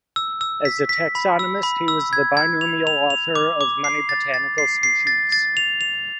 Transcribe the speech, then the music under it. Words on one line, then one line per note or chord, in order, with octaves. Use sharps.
As a taxonomist, he was the binomial author of many botanical species.
E6
E6
B6
B6
B5
E6
B5
E6
G#6
G#6
F7
F7
F7
D6
D6
C7
A6
A6
C7
C7
A6
A6
F7
F7